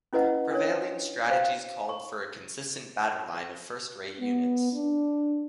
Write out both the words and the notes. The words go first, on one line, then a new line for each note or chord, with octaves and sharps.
Prevailing strategies called for a consistent battle line of first-rate units.
C#4 E4 B4 D#5 F#5
D4 A#4 C#5
C5 F5 G5
C#6
B3
D4